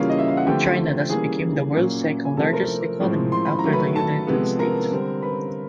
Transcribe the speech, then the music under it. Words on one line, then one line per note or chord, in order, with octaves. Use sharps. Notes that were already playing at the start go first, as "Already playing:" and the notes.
China thus became the world's second-largest economy after the United States.
Already playing: C#3 E3 G3 A#3 C#4 F4 F5
D#5
E5
F5
F#5
D3 F3 A3 C4 G4 G5
E3 G3 A#3 C#4 G#4 G#5
A#2 F#3 A#3 C#4
G#5
C3 F3 A3 C4 A4 A5
A#4 A#5
A2 F3 G#3 C4
C6
B5
A#5
D#3 F#3 A3
B4 B5
A4 A5
C3 F3 G#3 B3
A#4 A#5
D3 G3 C4
B4 B5